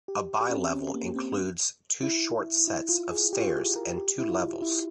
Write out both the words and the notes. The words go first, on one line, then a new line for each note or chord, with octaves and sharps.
A bi-level includes two short sets of stairs and two levels.
G4
G4
C#4
C4
C#4
A#3
C4
E4
E4
F4
G#4
G4
F4
G4
G#4
A#4
G4
E4
F4
E4